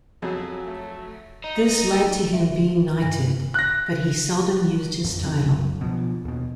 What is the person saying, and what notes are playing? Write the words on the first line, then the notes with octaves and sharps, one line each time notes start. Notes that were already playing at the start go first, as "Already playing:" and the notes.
This led to him being knighted, but he seldom used his title.
F2 F#3 G#4
A3
D#4
G5 E6
E5
G2
F#6 A#6
A1 F2
F#2 C#3 E3 C4
C2 F#2
B2 F3
D#2 B2